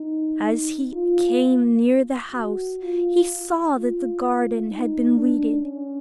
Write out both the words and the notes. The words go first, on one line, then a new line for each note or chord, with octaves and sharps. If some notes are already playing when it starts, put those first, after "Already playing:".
As he came near the house, he saw that the garden had been weeded.
Already playing: D#4
F4
F#4
F4
F4
F4
D#4
D4
C#4